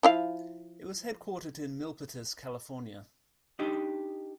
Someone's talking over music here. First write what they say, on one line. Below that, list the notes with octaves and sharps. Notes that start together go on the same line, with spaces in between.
It was headquartered in Milpitas, California.
F3 E4 F5
D4 D#4 G4 D#5